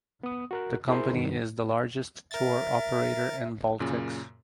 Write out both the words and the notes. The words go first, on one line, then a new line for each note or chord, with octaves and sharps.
The company is the largest tour operator in Baltics.
B3 D#6
F#4 A#4 F#6
E4 G#4 A#4 C5
G2 D#3
A#4 E5 A6
F#2 A#2 C#3